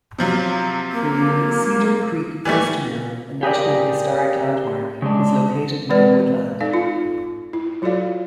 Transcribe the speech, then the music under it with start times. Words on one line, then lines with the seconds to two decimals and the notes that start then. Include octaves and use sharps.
The Cedar Creek Grist Mill, a National Historic Landmark, is located near Woodland.
0.19 C3 F3 F#3
0.92 A#3
2.45 E3 G3 A3 G4
3.43 G4 G#4 A#4 D5
5.02 C#3 G#3 D4
5.89 E3 G#3 C4 B4 D5
6.61 D#4 A4 D5 F5
6.74 F4
7.53 E4
7.82 F#3 F4 F#4 A4 D5 F5